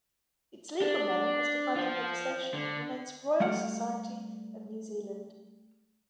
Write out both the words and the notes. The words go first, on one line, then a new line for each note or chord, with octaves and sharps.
Its legal name, as defined in legislation, remains Royal Society of New Zealand.
D4
F4 C5
D3
G3 A3 F5 F#5